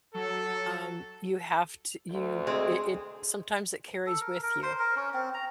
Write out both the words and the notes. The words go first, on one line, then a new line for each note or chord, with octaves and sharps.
um, you have t you it it sometimes it carries with you.
F#3 A4
D2
G#3 C4 G#4
A4
A#4
A#4
C5
A#4
C#4
C4
A#5